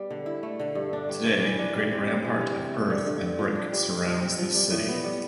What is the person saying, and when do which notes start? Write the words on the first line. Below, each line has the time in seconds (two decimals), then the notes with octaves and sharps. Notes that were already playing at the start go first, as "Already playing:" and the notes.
Today a great rampart of earth and brick surrounds this city.
Already playing: G3 B3
0.11 D3
0.26 E4
0.43 A3
0.60 D3
0.75 G2
0.93 D4
1.09 G3
1.25 A3
1.42 E3
1.58 D4
1.75 G3
1.91 C4
2.08 G3
2.25 E3
2.41 C3
2.58 C4
2.74 A3
2.90 D3
3.06 G2
3.23 C4
3.39 F3
3.55 D4
3.72 G3
3.89 C4
4.06 F3
4.21 C4
4.38 F3
4.55 G3
4.71 A2
4.88 B3
5.04 G3